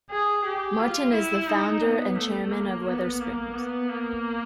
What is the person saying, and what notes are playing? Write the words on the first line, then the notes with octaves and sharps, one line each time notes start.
Martin is the founder and chairman of Wetherspoons.
G#4
G4
F4
E4
D#4
B3
A3
A#3
B3
A#3
B3
A#3